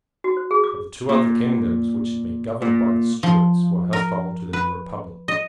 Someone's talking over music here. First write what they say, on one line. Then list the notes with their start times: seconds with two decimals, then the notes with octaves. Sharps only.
But the two other kingdoms which had been governed by the Stuarts were hostile to the new republic.
0.24 F#4
0.37 C5
0.51 G#4
0.64 D6
1.09 A#2
2.62 A#2
3.23 F3
3.93 A#4
4.53 B4
5.28 D#5